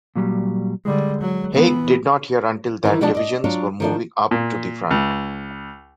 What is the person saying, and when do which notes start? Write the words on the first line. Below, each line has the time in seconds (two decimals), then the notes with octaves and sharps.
Haig did not hear until that the divisions were moving up to the front.
0.16 A#2 F#3 G3
0.85 D3 G3 G#3
1.21 F#3
1.52 E3 B3
2.83 D#3 E3 E4
3.01 B2 F3 G3 D4 D5 A5
3.15 D5 D#5
3.44 F#3 D4 F4 C#5
3.80 D#3 F3 D4
4.31 A#2
4.91 C#2